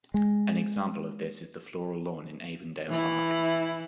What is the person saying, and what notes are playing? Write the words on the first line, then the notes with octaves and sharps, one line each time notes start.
An example of this is the floral lawn in Avondale Park.
G#3
E3 E4